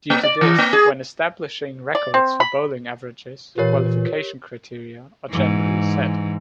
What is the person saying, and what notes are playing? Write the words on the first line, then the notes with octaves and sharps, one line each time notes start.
Due to this, when establishing records for bowling averages, qualification criteria are generally set.
A#3
D5
E3
A#3
G#4
D5
C4
B5
A#2 E3 G4 A#4 C#5
G#2 E3